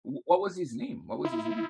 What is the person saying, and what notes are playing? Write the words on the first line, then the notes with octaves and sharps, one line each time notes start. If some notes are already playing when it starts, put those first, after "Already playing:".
W what was his name? What was his name?
E4